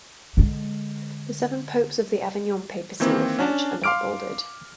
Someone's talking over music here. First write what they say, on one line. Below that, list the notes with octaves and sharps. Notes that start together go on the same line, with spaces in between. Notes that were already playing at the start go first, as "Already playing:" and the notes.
The seven popes of the Avignon Papacy were French and are bolded.
D3 G#3
D#3 E3 A#3 C4
C#4 D4 A5
F5 C6 D6 F6 D7